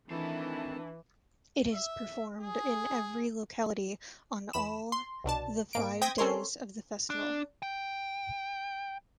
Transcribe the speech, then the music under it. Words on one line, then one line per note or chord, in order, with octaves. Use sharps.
It is performed in every locality on all the five days of the festival.
D#3 E3 A3 C4 D4 A5 B5
E5
G#4
E2 B5 E7
C6
C2 B2 D4 A5
G#2 A#3 D7
C4 G5 D#6 G#6 A#6 B6
C4 C#4 A4 A#4 C#5 C6
D4
G5